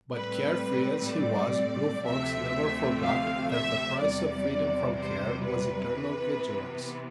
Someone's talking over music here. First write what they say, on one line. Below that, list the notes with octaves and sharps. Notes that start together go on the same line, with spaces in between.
But care-free as he was, Blue Fox never forgot that the price of freedom from care was eternal vigilance.
A2 G3 C4 B4
D5
D2 C3 F3 A3 C4 E5
F5
E5
E2 C3 G3 D5
C5
B4
C3 E3 B3